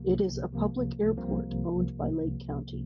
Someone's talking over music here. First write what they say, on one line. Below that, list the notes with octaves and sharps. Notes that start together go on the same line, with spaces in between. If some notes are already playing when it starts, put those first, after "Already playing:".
It is a public airport owned by Lake County.
Already playing: C2 C3 F3 A#3
C2 C3 F3 A#3
C2 C3 F3 A#3